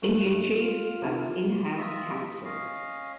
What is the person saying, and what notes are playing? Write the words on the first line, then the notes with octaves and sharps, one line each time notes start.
Indian Chiefs, as in-house counsel.
G2 F#7
G#3
F4
C3 E3
F4 D#5 E5
C#4 D#5 F5